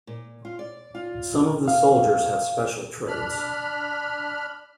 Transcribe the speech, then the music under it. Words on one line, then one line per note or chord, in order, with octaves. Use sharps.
Some of the soldiers have special traits.
A#2
F4
D5
F4
F5
D4 B5 F6